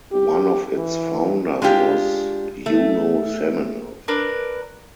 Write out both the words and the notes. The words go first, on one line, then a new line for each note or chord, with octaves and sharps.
One of its founders was Yuno Semenov.
G4
E3
G#3 D4 F4 G4
A3
D4 A#4 B4